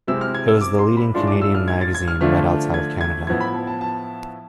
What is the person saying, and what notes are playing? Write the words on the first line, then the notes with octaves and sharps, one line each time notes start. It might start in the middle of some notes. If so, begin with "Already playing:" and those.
It was the leading Canadian magazine read outside of Canada.
C3 G#3 C4 E4 E6
F6
G#6
E6
D6
C6
B5
A2 G#3 D4 F4 C6
D6
E6
F6
G#6
A6
G#6
F6
D3 F3 A3 D4 F4 F6
G#6
G#6
A2 F3 B3 E4 G#6
B5
A5
A5
A5